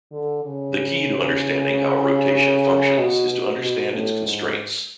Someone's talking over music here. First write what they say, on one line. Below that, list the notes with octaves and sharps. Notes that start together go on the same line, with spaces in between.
The key to understanding how a rotation functions is to understand its constraints.
D3
C#3
B2
B2
B2
A2
G#2